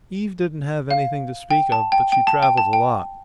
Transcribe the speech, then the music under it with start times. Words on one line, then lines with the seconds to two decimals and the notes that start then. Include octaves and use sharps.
Eve didn't have anything to speak of, but she travelled a lot.
0.91 F5
1.51 G5
1.72 A5
1.92 G5
2.12 G5
2.27 A5
2.43 G5
2.57 A5
2.73 G5